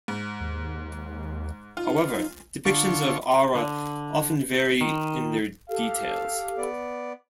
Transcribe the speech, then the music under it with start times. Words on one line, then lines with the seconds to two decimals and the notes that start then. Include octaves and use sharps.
However, depictions of Ara often vary in their details.
0.08 G#2
0.40 D#2
1.77 D#4 F4
2.65 D3 F4 C#6
3.55 D3
4.81 D#3
5.69 G4 A4 F5
6.58 B3 D5